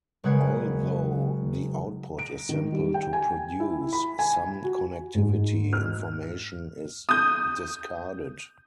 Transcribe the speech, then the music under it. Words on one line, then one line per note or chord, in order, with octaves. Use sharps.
Although the output is simple to produce, some connectivity information is discarded.
F#1 C#3 G#3 B4 F#5 G#6
D7
D#3
G3
G5
G#5
E4
B5
G#5
F#4
G#2
F6
D#6 G6